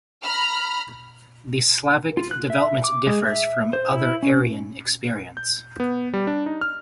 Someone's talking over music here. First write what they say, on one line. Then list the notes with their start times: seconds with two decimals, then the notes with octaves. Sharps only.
The Slavic development differs from other Aryan experience.
0.23 A#5 B5 F6
2.17 F4
2.31 F#6
2.50 E5
2.84 D6
3.07 G#3
3.25 E5
3.73 C5
3.92 E4
4.23 C#4
5.37 G6
5.80 B3
6.14 G3
6.27 D4
6.46 D#4
6.61 F6